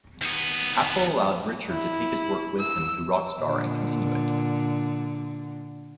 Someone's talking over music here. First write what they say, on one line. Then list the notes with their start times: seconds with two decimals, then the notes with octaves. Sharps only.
Apple allowed Richard to take his work with him to Rockstar and continue it.
0.21 D#2 B3
1.70 E4
2.60 E6
3.41 A#2 D3